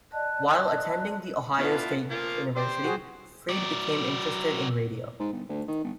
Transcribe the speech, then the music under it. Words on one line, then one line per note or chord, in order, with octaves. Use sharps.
While attending the Ohio State University, Freed became interested in radio.
D5 D#5 A5 F#6
B3 D4 E4 F4 B4
F3 A#3 F4
G4 C5 D5 C6
F#4 G#4
F#3 D5
G#2
G1
D2
D#3
G1